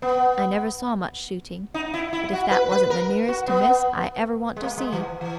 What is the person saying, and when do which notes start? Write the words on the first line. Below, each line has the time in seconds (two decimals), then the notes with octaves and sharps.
I never saw much shooting, but if that wasn't the nearest to miss I ever want to see!
0.02 B3
1.74 D#4
1.94 E4
2.13 E4
2.33 F#4
2.51 B4
2.71 B4
2.90 A#4
3.28 F#4
3.48 B3
4.56 G#3
4.63 A#3
4.78 G#3
4.92 E3
5.21 E3